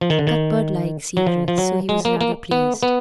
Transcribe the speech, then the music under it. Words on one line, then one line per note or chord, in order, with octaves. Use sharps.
Cuthbert liked secrets, so he was rather pleased.
F3
D#3
D3
D#3
F#3
F3
F3
F#3
G#3
A#3
A#3
B3
B3